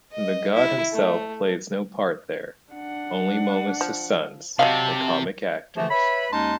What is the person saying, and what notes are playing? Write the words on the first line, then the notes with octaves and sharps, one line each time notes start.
The god himself plays no part there, only "Momus' sons", the comic actors.
D#5
E4
A3
D4 F#5
F3
C3 F#3 D#5 F5 A5
D3 E3 F3 A3
B4 C#5 E5 B5
D#2 G#3 C#4 D#4 A5 C6